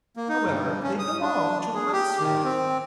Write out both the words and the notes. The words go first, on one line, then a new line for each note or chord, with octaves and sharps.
However, they belong to the Mouse family.
A#3
D#4
G2
C#4
D#6
D4
G#4
G4
D#3
C4